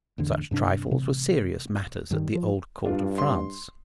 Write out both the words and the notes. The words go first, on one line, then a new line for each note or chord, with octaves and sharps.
Such trifles were serious matters at the old court of France.
A1 E2 D3
G2 C3 D4
A1 C3
G2 D#3 G3
F3
G2 D4 F4
C6